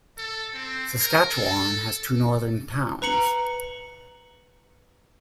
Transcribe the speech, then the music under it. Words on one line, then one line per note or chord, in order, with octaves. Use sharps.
Saskatchewan has two northern towns.
A4
C4
A#4
A4
B4 A#5 C#7 F#7